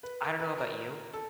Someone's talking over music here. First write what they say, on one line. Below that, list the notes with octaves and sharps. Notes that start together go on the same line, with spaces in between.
I don't know about you,
B4
A#4
B4
A#4
A4